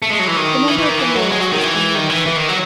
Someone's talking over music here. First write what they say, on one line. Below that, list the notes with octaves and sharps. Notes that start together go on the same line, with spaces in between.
The number of the Lords was unlimited.
A3
G#3
F#3
E3
D#3
E3
E3
D#3
E3
F#3
G#3
F#3
D#3
E3
D#3
E3
E3
D#3
F#3